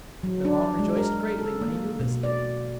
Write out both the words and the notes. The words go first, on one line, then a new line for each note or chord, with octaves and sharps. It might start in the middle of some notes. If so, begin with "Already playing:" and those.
Milon rejoiced greatly when he knew this thing.
F#3
D4
G#3
A#4
A4
A#3
B2
D5